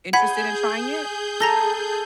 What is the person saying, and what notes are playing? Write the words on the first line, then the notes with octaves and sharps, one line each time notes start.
interested in trying it?
G#4 F#5 G#5 B5 G6 B6
A4 A#5 A#6 G7